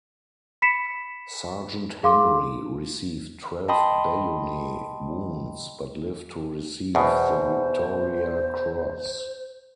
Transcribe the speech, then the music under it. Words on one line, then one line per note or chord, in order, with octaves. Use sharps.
Sergeant Henry received twelve bayonet wounds but lived to receive the Victoria Cross.
B5 B6 C#7 E7
G#4 F5 C6 D6
D#5 G5 A5 B5 C6 D#6
E2 B2 C5